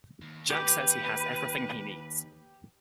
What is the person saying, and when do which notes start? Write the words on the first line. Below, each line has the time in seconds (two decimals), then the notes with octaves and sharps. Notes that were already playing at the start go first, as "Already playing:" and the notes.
Jack says he has everything he needs.
0.22 D#2
0.50 G4 B4 D6